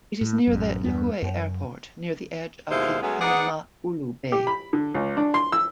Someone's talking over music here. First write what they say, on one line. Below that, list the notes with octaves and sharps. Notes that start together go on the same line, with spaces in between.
It is near the Lihu'e Airport, near the edge of the Hanama'ulu Bay.
A2
A1 F#2
E2 G2 B3
F#2
D#2 B2 G#3 E4 C5 F5
F#3 G#3 A3 B3 C#4
B3 D#4 G#4 D5 F#5
G4
B5
D3
C#2
D4
C6
E6